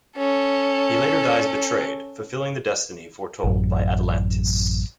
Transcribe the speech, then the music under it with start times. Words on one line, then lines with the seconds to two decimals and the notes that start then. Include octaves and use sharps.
He later dies betrayed fulfilling the destiny foretold by Atlantes.
0.17 C#4 A4
3.44 A1 F#2